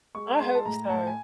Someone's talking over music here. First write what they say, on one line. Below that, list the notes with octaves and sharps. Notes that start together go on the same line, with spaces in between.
I hope so.
G#3 C#6
G#3 C6
A5
A2 A#5
A#5
A2 A5
G#5